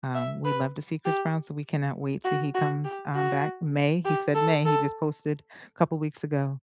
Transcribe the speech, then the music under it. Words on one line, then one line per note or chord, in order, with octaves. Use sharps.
Um, we love to see Chris Brown, so we cannot wait till he comes, um, back. May, he said May. He just posted a couple weeks ago
E5
B4
G4
F#4
F#4
G4
F#4
G4
A4
A4